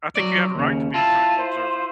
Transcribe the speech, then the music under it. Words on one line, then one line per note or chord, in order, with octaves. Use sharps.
I think you have a right to be a critical observer.
F#3 D5
D#2 C#3
E4 F4 A5
C5